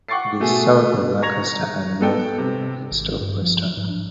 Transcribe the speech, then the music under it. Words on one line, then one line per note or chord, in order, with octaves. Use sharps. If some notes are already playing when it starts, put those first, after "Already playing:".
It is south of Lancaster and north-northwest of Preston.
F#5 G5 C#6 D6 A6 C7
B2 A3 F#4 G#4
A#5 C#6 G#6 A#6 F7
B3 A4 G5
C3
G#1
G2
F3
G#2
D4